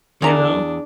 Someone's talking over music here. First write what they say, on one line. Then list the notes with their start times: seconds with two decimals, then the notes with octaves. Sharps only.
You know?
0.22 E2 D4 A#5